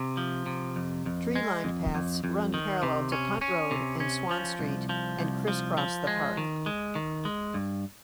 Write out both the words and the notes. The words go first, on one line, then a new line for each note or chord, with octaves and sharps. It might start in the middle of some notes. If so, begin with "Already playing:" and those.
Tree-lined paths run parallel to Punt Road and Swan Street, and criss-cross the park.
Already playing: C3
F3
C3
F2
F2
G#3
F2
F2
F2
D#3
C3
C#4
C#4
C3
C#4
F3
C2
F3
C2
F3
F3
G#3
D#3
G#3
D#3
G#3
G2